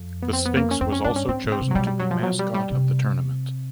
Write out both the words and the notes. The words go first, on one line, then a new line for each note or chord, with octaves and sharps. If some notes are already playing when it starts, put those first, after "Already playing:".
The sphinx was also chosen to be mascot of the tournament.
Already playing: F2
B3
C4
B3
A#3
C#4
F2 C4
C#4
G2 D4
C#4
G#2 C4
A2
C4
C3
F#3
B2 G3
G3
F#3
F3
F#3
G3
G3
C3